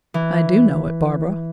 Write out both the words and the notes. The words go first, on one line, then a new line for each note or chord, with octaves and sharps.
"I do know it, Barbara."
E3